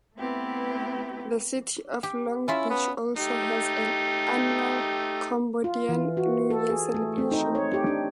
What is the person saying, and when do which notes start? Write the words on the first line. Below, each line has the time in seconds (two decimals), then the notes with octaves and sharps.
The city of Long Beach also has an annual Cambodian New Year celebration.
0.16 A3 B3 C4 E4 G4 B4
2.03 G4
2.48 C#4 E4 F4 E5
2.70 B3
3.17 A3 D#4 G4
5.64 F4
5.89 E3
6.17 F#4
6.50 A4
6.70 G#4
6.94 A3
7.18 C4
7.32 D#4
7.55 C#5
7.74 G4
7.86 D4